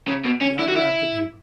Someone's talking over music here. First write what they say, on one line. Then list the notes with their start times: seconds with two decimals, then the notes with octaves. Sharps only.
He unwrapped the paper.
0.07 C#3
0.25 B2
0.41 C#4
0.59 E4
0.68 F#4
0.76 E4